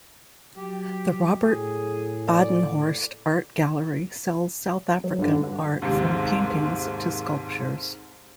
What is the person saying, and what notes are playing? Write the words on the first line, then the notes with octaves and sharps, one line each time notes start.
The Robert Badenhorst Art Gallery sells South African art from paintings to sculptures.
F#3 G4
A2 G#4
D5
F#3
G2 D3
D#2 G#2 C3